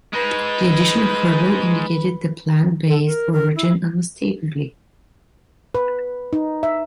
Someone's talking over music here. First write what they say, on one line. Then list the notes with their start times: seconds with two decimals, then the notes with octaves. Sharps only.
The addition of “herbal” indicated the plant based origin unmistakably.
0.13 G#3 D#4 B4
2.87 A4
3.07 A#4
3.33 A#4
3.56 E4
5.75 B4
6.33 D#4
6.63 E5